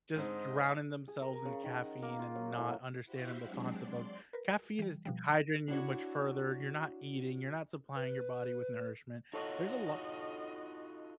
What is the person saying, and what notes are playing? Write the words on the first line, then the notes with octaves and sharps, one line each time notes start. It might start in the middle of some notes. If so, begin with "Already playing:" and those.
just drowning themselves in caffeine and not understanding the concept of "Caffeine is dehydrating you much further. You're not eating, you're not supplying your body with nourishment." There's a lot
G#2 D3 C4 D#4 C5 D#5
G#4
A#4
A#4
C#3
D#3
F#5
A#3
F4
F#3
A2
E4 F#4 G4 C5 E5 F5
F#3 G#3 C4 D4
D5 C6
A#4 B4
E3 G3
B2 F3 G3
D4 E4 F#4 C#5
B4
D#4 F4 F#4 A4 C#5 D#5